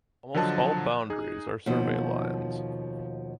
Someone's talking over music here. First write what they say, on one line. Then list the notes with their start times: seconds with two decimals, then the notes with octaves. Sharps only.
Almost all boundaries are survey lines.
0.34 D3 F3 F#3 D#5 A5 F#6
1.10 D#4 G#4
1.66 D#2 B2 F3